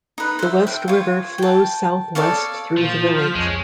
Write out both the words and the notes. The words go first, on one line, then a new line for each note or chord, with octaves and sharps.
The West River flows southwest through the village.
D#4 B4
C5 E5
G5
F4 C#5
G5 A5
A4 C#5 D5 F5
A#2 F3 F4 G6
F6 G6 B6
C2 F2 G#3 C#5